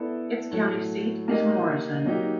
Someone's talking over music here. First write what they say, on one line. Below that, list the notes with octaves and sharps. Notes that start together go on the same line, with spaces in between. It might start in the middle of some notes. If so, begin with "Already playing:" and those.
Its county seat is Morrison.
Already playing: B3 E4 A4 D5
A2 F#3 A3
A#3 D#4 G4 A#4 D#5
F#3 A#3 D#4 G4